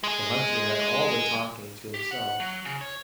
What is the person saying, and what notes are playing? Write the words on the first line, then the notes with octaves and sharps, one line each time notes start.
The hunter had all the talking to himself.
G#3 G#4
G4
F#5
F#3
C#3
C#5